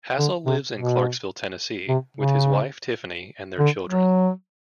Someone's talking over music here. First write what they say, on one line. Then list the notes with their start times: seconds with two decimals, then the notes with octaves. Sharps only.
Hassell lives in Clarksville, Tennessee with his wife Tiffany and their children.
0.18 D3
0.46 C3
0.75 B2
1.89 C3
2.17 C#3
3.59 D3
3.87 F#3